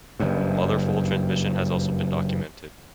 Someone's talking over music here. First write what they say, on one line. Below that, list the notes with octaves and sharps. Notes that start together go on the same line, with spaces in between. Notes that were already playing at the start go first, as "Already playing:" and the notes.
Mother-foal transmission has also been documented.
F#1 G2